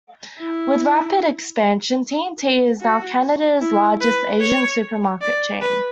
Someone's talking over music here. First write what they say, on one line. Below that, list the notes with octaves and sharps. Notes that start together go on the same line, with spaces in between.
With rapid expansion, T and T is now Canada's largest Asian supermarket chain.
E4
F#4
E4
B4
C#5
D5
B4